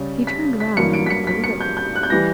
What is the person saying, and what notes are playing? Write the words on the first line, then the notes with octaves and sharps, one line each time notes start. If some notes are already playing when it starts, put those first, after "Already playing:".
He turned round deliberately.
Already playing: C#3 G3 C#4
B6
B6
G2 F#3 A#3 C#7
D7
B6
C#7
B6
C#7
G6
G6
F#6
G6
E3 G3 A#6